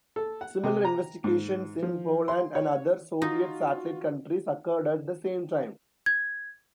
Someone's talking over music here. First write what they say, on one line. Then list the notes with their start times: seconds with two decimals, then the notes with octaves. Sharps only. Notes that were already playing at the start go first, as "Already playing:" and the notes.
Similar investigations in Poland and other Soviet satellite countries occurred at the same time.
0.16 A4
0.41 F#5
0.64 C3
0.85 A#5
1.24 G#2
1.83 F3
2.28 C6
2.55 C#5
3.22 D#4 F4 F#4
6.06 G#6